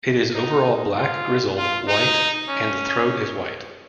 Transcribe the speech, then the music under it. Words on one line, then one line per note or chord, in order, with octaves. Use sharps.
It is overall black grizzled white, and the throat is white.
D#4
F4
F4
D#4
C#4